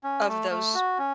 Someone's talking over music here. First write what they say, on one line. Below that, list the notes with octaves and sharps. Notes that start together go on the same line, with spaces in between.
of those
C#4
A3
A3
F#4
C#4